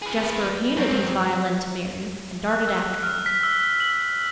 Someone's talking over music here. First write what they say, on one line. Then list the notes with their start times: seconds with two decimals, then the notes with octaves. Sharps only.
Jasper handed his violin to Mary, and darted after him.
0.02 G#4 B4
0.77 F#2 C4
2.48 F#6
2.68 E6
3.03 F6
3.26 B6
3.43 E6
3.80 F#7